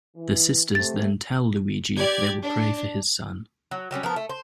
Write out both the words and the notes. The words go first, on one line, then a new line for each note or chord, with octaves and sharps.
The sisters then tell Luigi they will pray for his son.
E3
C3 A3 A6
G4 D5 G#6
D4
F#3
F#3 G3 C4 C#4
F3 B3 A#4
A3
C5